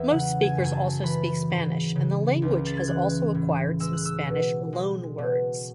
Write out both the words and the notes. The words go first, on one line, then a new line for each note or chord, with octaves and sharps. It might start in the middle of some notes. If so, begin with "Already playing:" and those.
Most speakers also speak Spanish, and the language has also acquired some Spanish loanwords.
Already playing: E2 E5
C#3 F#5
G#5
F#2
G#5
A5
E3 B5
G#2
C#3
C#2
A6
G#6
E3 F#6
A2
G#3 E6
F#6
E6
B2
G#3
B2